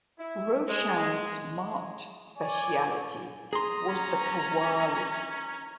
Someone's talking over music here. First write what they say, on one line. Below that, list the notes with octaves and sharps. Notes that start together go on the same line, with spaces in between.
Roshan's marked speciality was the Qawwali.
E4
G#3
C#5 D5 G#5 D6
G#4 A#5 C6 D#6
C#4